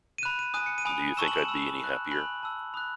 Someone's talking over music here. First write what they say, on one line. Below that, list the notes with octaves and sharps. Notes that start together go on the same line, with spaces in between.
Do you think I'd be any happier?
D#7
B5 F#6 E7
D#7
G#5 D#6 F#6 D#7
C#7
D#7
G#5 B5 D#6
A5 C#6 E6 E7
F#7
E7
B5 E6
B5 F#6
G#5 B5 F#6 F#7
A5 E6
B5 D#6 F#6